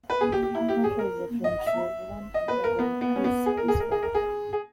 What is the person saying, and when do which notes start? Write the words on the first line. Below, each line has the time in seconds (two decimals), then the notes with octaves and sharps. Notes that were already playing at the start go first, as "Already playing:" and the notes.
Humphrey is a friend to everyone and everyone is his friend.
0.10 B4
0.21 G#4
0.32 G4
0.43 G4
0.55 E4
0.68 G4
0.84 G#4
0.99 A#4
1.44 D#5
1.67 E5
2.34 D#5
2.48 B4
2.64 A#4
2.79 B3
3.01 B3
3.16 C#4
3.24 B3
3.46 G#4
3.57 A#4
3.68 G#4
3.80 A#4
3.91 G#4
4.02 A#4
4.15 G#4
4.53 G#4